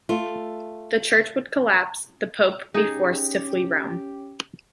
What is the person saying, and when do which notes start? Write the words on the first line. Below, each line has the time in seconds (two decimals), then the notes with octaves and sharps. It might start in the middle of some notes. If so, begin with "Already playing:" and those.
The Church would collapse, the Pope be forced to flee Rome.
0.09 A3 F4
2.74 C#4 D#4 G4 G#4